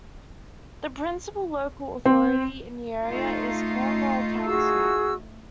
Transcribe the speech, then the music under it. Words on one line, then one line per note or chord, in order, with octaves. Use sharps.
The principal local authority in the area is Cornwall Council.
C4
A3 D#4 F4
F#4 G#4 E6